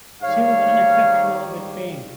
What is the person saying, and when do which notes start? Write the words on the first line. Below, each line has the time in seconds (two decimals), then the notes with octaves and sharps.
She was unexceptional with paint.
0.21 G#2 D#3 G3 C#5 F5